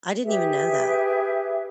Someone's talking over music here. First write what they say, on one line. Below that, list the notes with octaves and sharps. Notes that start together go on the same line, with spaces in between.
I didn't even know that.
G4 G#4 B4 E5